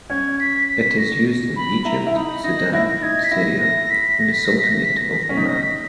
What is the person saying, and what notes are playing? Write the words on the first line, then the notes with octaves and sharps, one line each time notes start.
It is used in Egypt, Sudan, Syria and the Sultanate of Oman.
C#4 G#6
B6
B6
A#6
B5
E4 A#5
E4
D#4 B5
D#4 A#6
E4 A#6
D#4 G#6
B6
E4 A#6
A#6
B6
A#6
B6
A#6
B6
A#6
B6
A#6
B6
A#6
C#4
D#4 B6
A#6
B6